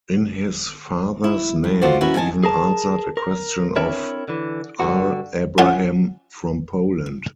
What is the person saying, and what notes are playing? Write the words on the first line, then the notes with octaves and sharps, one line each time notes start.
In his father's name he even answered a question of R. Abraham from Poland.
E4
G2
D3 F4 F#4 C5 D5
B3 C#4 E4 F#4 A#4
E2 D#5 G#5 A5
G#4 A#4 A5
A#4
C4 D4 E4 A#4 C#5 E5
D3 E3
G2 D3 F#4
C#4 F4 F#5